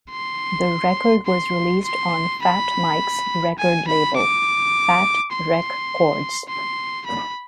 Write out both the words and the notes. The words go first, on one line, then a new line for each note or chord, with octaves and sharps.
The record was released on Fat Mike's record label, Fat Wreck Chords.
C6
C6
C6
B5
G#5
B5
D6
C6
C6
B5